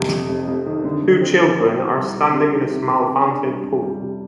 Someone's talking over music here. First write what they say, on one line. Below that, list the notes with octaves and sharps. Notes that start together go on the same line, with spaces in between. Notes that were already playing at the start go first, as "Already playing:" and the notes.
Two children are standing in a small fountain pool.
Already playing: F2 C3
C3
F1
F2
D#3
D3
D3
C4
F3
C4
C4
C2
C3
C2
D#3
C3
C3
C3
D4
G3
F2
G3
C3